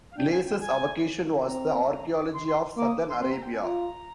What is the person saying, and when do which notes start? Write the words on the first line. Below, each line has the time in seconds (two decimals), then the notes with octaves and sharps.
Glaser's avocation was the archaeology of southern Arabia.
0.11 F5
0.17 D4 G5
0.31 G#5
0.46 G5
0.60 G#5
1.40 C6
1.46 C4 A#5
1.90 A#5
2.11 D6
2.33 C6
2.47 C6
2.77 A#3 D6
2.88 D#6
2.99 D6
3.09 C6
3.20 C4 C6
3.31 A#5
3.42 G5
3.52 G#5
3.63 F4 A#5